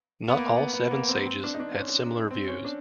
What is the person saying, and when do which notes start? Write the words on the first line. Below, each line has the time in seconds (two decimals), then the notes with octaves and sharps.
Not all seven sages had similar views.
0.28 B3
0.38 A#3
0.56 B3
0.73 B3
0.87 B3
0.91 A#3
1.08 C4
1.26 C4
1.44 D4
1.55 D#4
1.60 D4
1.78 C#4
2.31 C4
2.48 C#4
2.65 D4